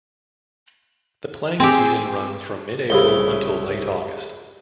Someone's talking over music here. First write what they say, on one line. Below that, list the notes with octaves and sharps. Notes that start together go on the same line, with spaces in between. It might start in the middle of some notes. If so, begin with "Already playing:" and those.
The playing season runs from mid-April until late August.
C4 G4 G#4 G5 E6
C2 C#3 E4 G4 G7